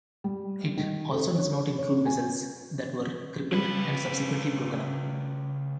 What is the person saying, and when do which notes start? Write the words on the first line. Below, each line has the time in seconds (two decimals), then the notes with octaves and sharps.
It also does not include vessels that were crippled and subsequently broken up.
0.24 G3
0.77 D#3
1.11 A4
1.35 C#5
1.78 C#5
2.05 G#5
3.53 C#3 B4